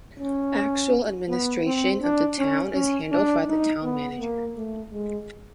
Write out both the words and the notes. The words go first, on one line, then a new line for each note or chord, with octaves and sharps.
Actual administration of the town is handled by the town manager.
C#4
B3
C4
D4
C#4
C#4
D4
D#4
B3
A#3
A3
G#3